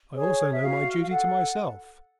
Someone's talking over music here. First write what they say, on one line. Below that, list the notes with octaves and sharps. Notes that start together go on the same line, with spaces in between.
I also know my duty to myself.
G#4 C#5
E5
F#4 F5
F5
A4 F#5